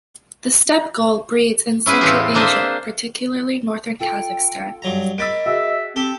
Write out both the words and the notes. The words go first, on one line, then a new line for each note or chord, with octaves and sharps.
The steppe gull breeds in Central Asia, particularly northern Kazakhstan.
C#4 E4 G#4 B4 C5
E2 A2 C4 F4 G4 G#4
G#3 A#3 D4 C5 D#5 E5
F4 A4 G5
G2 F#3 A#5
A#3 D#5 B5 E6 A6 D7
F#4 G#4 E5
C4 G4 A4